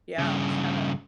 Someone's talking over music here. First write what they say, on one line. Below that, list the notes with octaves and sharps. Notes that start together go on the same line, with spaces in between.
Yeah, it's kinda
G2 C#3